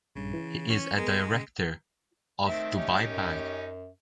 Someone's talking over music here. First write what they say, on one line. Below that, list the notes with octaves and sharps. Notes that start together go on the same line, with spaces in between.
He is a director of Dubai Bank.
A#1 G2 C#3
E3
C#4
G#3 B3 G#4 A#4
C#3
D#3 A3 C4 E5
C#4 D#4 G4
F#2